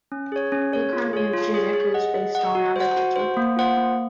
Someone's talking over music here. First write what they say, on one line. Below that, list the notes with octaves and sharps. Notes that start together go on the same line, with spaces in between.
The economy of Junik is based on agriculture.
C#4
G#4 C#5
C#4
G#4 C#5
F4
G#4 C#5
F4
G#4 C#5
G#4
D#5 F#5
G#4
D#5 F#5
F#4
C5 F#5
F#4
C5 F#5
A#3
F4 C5 F#5
A#3